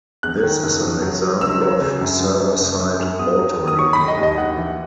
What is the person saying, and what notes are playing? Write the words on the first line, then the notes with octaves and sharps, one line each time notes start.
This is an example of server-side AutoLinking.
E2 F#6
D#3
F#1
F#3
F#3
F#3
C#2 E6
F#3
C#3
F#2
F#2
F#2
F#1
F#2
F#2
E2 D#6
F#3
D#3
D#6
F#3 C#6
B5
D#3
D#5
D#2
D#5
D#2 F#5
E3